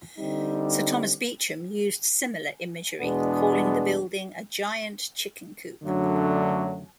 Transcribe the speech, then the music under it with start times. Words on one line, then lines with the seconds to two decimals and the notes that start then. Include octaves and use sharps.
Sir Thomas Beecham used similar imagery, calling the building a "giant chicken coop".
0.17 D3 G3 C4 D#4
3.00 E2 B2 G#3 B3 D4
5.83 F#2 D3 F#3 A3 D4